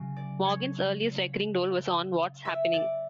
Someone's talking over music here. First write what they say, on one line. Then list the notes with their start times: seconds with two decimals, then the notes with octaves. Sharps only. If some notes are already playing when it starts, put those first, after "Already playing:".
Morgan's earliest recurring role was on What's Happening!!
Already playing: C#3 F#3
0.16 D5
0.45 C#5
2.45 E5
2.74 D5